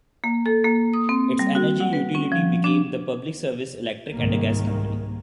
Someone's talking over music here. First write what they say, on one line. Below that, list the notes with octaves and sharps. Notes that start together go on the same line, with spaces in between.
Its energy utility became the Public Service Electric and Gas Company.
A#3
A4
A#3
D#6
C4
G3
F#4
F#5
B4
C#4
F3
D4
C2 G#2 D#3 A#3